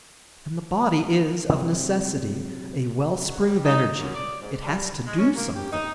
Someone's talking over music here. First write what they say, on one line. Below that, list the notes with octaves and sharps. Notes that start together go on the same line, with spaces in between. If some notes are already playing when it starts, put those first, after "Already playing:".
And the body is, of necessity, a wellspring of energy; it has to do something.
C3 F#3 G#3
F#3
G3
D#4
F#2
D5
G#2
G3
G#3
C#4
A#3
G4
D#4